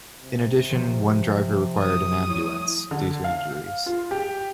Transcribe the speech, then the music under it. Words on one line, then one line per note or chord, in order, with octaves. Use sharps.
In addition, one driver required an ambulance due to injuries.
C3
D#3 F3 F#3
D#6
G3 A3 E4 C#5
D3
F5
F4
G4